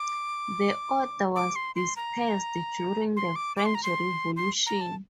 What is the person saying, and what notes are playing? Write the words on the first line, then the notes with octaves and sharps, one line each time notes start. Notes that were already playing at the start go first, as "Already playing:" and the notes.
The Order was dispersed during the French Revolution.
Already playing: D6
D6
C6
C6
A#5
C6
D6
D6
C6
A#5
C6
C6
A#5
A5